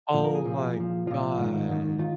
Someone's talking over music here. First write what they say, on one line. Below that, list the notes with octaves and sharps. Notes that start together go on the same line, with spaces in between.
Oh my god!
A#2 F3
A#4
G#4
A#2 F3
A#2 F3
A#2 F3 F4
G#2 D#3
G#2 D#3
D#3 F4